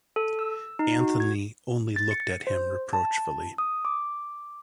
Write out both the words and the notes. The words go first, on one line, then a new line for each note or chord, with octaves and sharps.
Anthony only looked at him reproachfully.
A4
E6
D#4
F#4
G#6
A6
C#7
C5
A5
D#6
D6